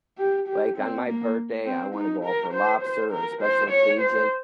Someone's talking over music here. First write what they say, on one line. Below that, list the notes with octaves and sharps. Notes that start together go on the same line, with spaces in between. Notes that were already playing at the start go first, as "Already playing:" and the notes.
Like, on my birthday, I wanna go out for lobster, or special occasion-
G4
G4
C4
A#3
C4
D#4
A#4
C5
C5
A#4
C5
C#5
C5